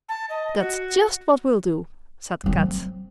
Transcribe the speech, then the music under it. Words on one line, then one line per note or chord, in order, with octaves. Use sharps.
"That's just what we'll do," said Kat.
A5
D#5
F#4
F#3 C4